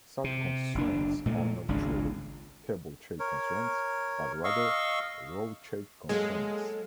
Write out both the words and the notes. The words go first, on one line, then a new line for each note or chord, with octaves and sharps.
Such constraints are not truly "table check constraints" but rather "row check constraints".
C3
F#1 D4
A#2 G#3 A3
G#1 C#2 C#3 D4
A#4 C#5
D#5 F5 C#6 E6
F#3 G#3 A#3 A4